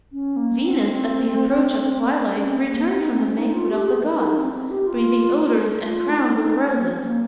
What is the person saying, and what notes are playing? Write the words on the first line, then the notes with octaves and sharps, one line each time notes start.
Venus at the approach of twilight returned from the banquet of the gods, breathing odors and crowned with roses.
C#4
A#3
C4
C4
C4
C#4
C4
A#3
C4
D#4
C4
C#4
D#4
F4
G4
G#4
A#4
D#4
C4
C4
G4
F4
F4
D#4
D#4
C#4
A#3
C4
A#3